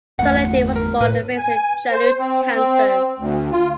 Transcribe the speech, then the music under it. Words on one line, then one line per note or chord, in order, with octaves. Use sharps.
Osa Leighty was born and raised in Chanute, Kansas.
G1 E2 A3 F#5
A#4
A2 B4
G#5
C5
C4
C4
D2
F4